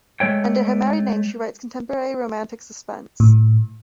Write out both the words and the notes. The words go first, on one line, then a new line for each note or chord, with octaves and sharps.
Under her married name she writes contemporary romantic-suspense.
G#3 A3 C#5 G5
A2